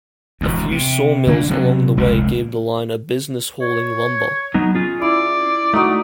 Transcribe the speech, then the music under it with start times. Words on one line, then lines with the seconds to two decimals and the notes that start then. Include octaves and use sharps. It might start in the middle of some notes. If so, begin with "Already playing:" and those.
A few sawmills along the way gave the line a business hauling lumber.
0.41 E1 A1 D2
0.71 C3
1.27 D3 A#3 B3 D4
1.49 C3 F#3
1.97 F1 C#2 A#2
3.61 C#5
4.54 F#3 B3 D#4
4.75 C#4 F4 G#4
5.01 E4 D5
5.73 A3 D#4 F#4 D#5